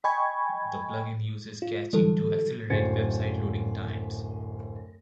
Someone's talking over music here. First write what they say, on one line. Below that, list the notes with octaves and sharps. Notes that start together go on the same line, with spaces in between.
The plugin uses caching to accelerate website loading times.
D#5 G5 G#5 B5 C#6 G#6
F4
D3 E3 F#3 G3 A4
D1 F#2 C5 G#6 A6 C#7